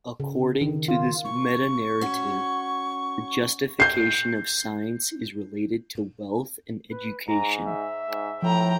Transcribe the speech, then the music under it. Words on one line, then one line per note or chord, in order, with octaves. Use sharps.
According to this metanarrative, the justification of science is related to wealth and education.
C#3
D#3
F4
C#6
C#4 F#4
G6 C7
B4
G#2 A#5
E5
G#2
A2 F3 G5 A#5